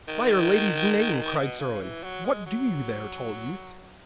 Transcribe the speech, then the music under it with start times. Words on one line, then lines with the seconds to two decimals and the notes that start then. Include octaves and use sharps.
'By'r Lady's name!' cried Sir Owen, 'what do you there, tall youth?'
0.08 D#3
1.38 B2
1.60 C#3
1.81 E3
2.04 F#3
2.25 G#3
2.46 F#3